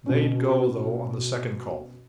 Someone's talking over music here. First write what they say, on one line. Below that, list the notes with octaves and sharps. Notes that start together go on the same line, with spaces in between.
They'd go, though, on the second call.
B2 C#4